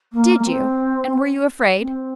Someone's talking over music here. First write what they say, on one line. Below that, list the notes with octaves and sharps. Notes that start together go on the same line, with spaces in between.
"Did you? and were you afraid?"
A#3
A#3
C4
C4